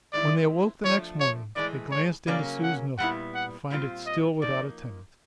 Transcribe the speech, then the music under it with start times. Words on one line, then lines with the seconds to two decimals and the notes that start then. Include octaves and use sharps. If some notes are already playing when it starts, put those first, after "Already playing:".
When they awoke the next morning they glanced into Sue's nook, to find it still without a tenant.
0.13 D#3 G#3 C4 E4 D5
0.84 F3 A3 D4 C#5
1.20 C#5
1.56 A2 E3 G#3 D5
1.92 C#5
2.27 C#3 F#3 A#3 C#4 D5
2.63 F#5
2.98 A#2 G3 B3 E4 F#5
3.35 F#5
3.70 A#2 G3 C4 F4
4.06 D#5
4.41 F3 A#3 D#4 D5